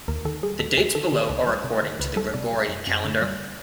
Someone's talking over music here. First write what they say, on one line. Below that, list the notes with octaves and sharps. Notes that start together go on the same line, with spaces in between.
The dates below are according to the Gregorian calendar.
D#2 A#4
D#3 A4
G3 G#4
D#2 A4
D#2 G#4
D#3 A4
D#3 G#4
C5
C#2 D5
C#5
G3 C5
C3 B4
D#3 C5
C#2 B4
G3 A4
C3 D5
G3
F#2
F#2
D3
G3 D5